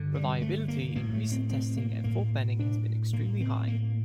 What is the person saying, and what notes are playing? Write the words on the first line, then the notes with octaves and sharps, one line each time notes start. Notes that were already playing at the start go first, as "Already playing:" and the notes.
Reliability in recent testing at Fort Benning has been extremely high.
Already playing: G2 D3
G3
A3
A#3
A2 A#3
A3
C4
C4
A#3
A2 A#3
D4
A2 A#3
C4
A#3